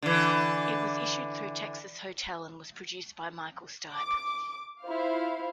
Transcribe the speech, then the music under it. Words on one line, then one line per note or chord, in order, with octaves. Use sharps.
It was issued through Texas Hotel and was produced by Michael Stipe.
D3 E3
D6
E4 F4 C5 F5